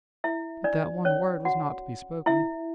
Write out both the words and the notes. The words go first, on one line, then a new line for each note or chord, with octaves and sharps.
But that one word was not to be spoken.
E4 E5
D4 D5
C#4 C#5
F#4 F#5
E4 E5